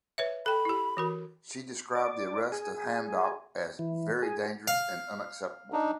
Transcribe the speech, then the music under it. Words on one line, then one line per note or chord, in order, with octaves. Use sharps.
She described the arrest of Hamdok as "very dangerous and unacceptable".
B4 C#5 E5
A4 G5 B5
E4 G4
E3 F#4 A#4
D5
G#4
E3
G#4
F5
D4 D#4